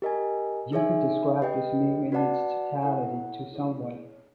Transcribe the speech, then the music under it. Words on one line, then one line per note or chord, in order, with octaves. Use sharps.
You could describe this meme in its totality to someone.
G4 A#4 D#5 G#5
D#4 G#4 C#5 E5 G#5
G4 B4 D#5 G5
F#4 B4 D5 F#5 A5
E4 A4 C#5 F#5
E4 G#4 C#5